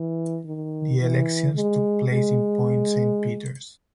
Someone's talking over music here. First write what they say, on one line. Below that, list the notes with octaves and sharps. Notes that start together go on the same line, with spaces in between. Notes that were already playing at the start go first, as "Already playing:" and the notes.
The elections took place in Point Saint Peters.
Already playing: E3
D#3
E3
G#3
G#3